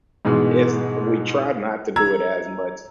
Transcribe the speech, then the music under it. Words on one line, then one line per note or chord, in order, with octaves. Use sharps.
is we tried not to do it as much
G#2 B2 E3 G#3
A#5 E6 G#6